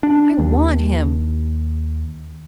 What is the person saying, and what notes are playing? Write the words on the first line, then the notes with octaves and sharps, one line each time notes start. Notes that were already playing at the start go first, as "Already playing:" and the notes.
I want him.
D4
D#2